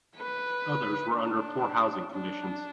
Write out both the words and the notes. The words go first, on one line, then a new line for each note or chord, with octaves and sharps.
Others were under poor housing conditions.
B4
D4
D4